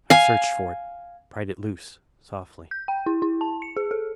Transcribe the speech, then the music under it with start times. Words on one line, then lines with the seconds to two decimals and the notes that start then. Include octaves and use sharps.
I searched for it, pried it loose softly.
0.10 F5 G#5
2.71 G6
2.88 G5
3.06 E4
3.22 E4
3.41 A5
3.62 C#7
3.77 G#4
3.91 A4